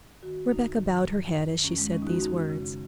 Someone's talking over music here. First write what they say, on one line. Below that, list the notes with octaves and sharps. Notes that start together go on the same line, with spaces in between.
Rebecca bowed her head as she said these words.
D#3 F#4
F#2 D#4
D#3
F#2
D#3
F#2 C#4
G#3
D#3 C#4
D#4
F#4
F#2 D#4
C#3